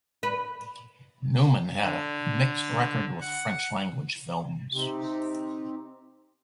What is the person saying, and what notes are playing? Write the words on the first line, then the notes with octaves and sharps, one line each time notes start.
Newman had a mixed record with French-language films.
B4
D3
F#5
C3 C4 D#4 G4